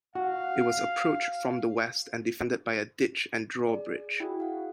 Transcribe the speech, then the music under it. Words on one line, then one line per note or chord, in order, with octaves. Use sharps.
It was approached from the west and defended by a ditch and drawbridge.
F#4 F5
G#4 D5
E4 F#4 G#4 G5
F5 F#5